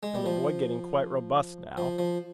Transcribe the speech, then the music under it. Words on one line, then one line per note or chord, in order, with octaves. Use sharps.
And the boy getting quite robust now!
G#3
G3
F3
F3
F3